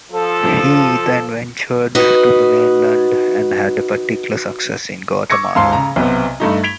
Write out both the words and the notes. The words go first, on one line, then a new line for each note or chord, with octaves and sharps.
He then ventured to the mainland and had particular success in Guatemala.
F3 A4
D#4 F#4 B4
C#6 D6 E6 G#6 A#6 C#7
D#1 G#2 F5 A5 C6
C#3 A#5
B1 C3 B3
G2 A3 D#4
G#6 B6 D7 F7 G7